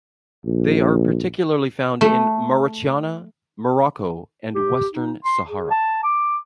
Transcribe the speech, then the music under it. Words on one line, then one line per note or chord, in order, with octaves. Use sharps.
They are particularly found in Mauritania, Morocco and Western Sahara.
A#1
A3
G4
D#4
C6
G#4
A5
D6